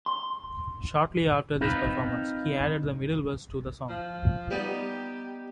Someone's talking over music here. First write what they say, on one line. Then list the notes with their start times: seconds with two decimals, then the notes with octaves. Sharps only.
Shortly after this performance, he added the middle verse to the song.
0.06 C6
1.61 C4 D#4 F4 B4
3.89 F3
4.51 G3 B3 D#4 G4